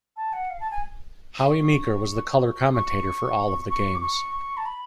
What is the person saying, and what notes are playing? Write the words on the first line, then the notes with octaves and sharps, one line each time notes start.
Howie Meeker was the colour commentator for all of the games.
A5
F#5
F5
A5
G#5
C#6
C#6
C#6
D6
C#6
A5
B5